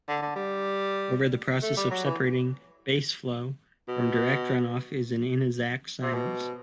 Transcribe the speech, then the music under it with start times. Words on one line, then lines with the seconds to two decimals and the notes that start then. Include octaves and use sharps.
However, the process of separating "baseflow" from "direct runoff" is an inexact science.
0.08 D3
0.22 D3
0.36 G3
1.62 A3
1.77 G3
1.90 F#3
2.05 E3
3.88 B2
6.02 C3
6.14 B2